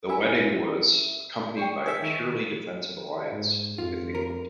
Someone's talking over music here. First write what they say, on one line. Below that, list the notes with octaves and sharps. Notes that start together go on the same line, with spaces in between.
The wedding was accompanied by a purely defensive alliance with England.
C#4 E4 G4 A#4 E5 G#5
D5 G5 C#6 C7
G#4 E5
D#3 C#6
G#2
F2 F4
A#4